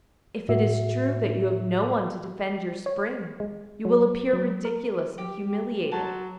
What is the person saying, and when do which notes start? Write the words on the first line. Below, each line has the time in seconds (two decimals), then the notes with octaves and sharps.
If it is true that you have no one to defend your spring, you will appear ridiculous and humiliated.
0.49 A2 F#4 E5
2.86 C#5
3.40 G#3
3.85 F#3
4.33 F#3
4.65 A#4
5.18 G4
5.92 F#3 A5 C6